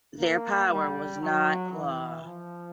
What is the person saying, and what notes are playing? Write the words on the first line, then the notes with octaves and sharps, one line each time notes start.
Their power was "not" law.
A#3
G3
F#3
E3
F3